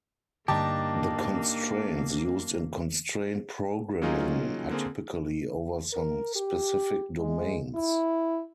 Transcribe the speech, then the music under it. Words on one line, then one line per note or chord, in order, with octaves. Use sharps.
The constraints used in constraint programming are typically over some specific domains.
G2 D3 A#3 D4 D#4 G4 A5
F#3 A#3 C#4 D#4 F4 G#4
D3 A#3 C4 G#4
A#4
G4
G#3
E4